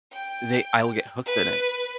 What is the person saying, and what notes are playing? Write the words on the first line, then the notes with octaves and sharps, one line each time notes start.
they I will get hooked in it,
G5
B4